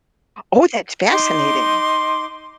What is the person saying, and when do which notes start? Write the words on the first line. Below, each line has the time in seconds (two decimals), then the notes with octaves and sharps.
Oh, that's fascinating.
1.11 D#4 C6 D6